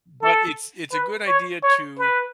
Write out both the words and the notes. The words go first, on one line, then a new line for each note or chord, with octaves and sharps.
But it's it's a good idea to
A4
B4
C#5
C#5
B4